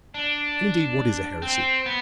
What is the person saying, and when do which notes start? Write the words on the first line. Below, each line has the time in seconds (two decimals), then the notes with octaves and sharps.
And, indeed what is a heresy?
0.14 D4
1.42 C4
1.86 B3